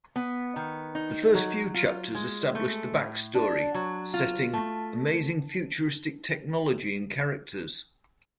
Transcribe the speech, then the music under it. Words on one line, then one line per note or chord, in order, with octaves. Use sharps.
The first few chapters establish the backstory, setting, amazing futuristic technology and characters.
B3
D#3
D#4
F#3
F4
G#3
A3
A2
D4
F#3
F4
A3